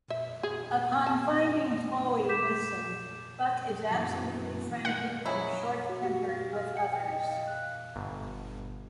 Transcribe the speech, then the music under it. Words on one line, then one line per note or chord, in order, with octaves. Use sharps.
Upon finding Chloe missing, Buck is absolutely frantic and short-tempered with others.
E5
G#4
A5
D6 G6 B6 E7
F#2 E3 F#3
D#3 F4 F#5
F3 F#3 C#4 E4 G#4
F#4
G4
F5
F6
C#7
G5
D#5
F5
F#6
G1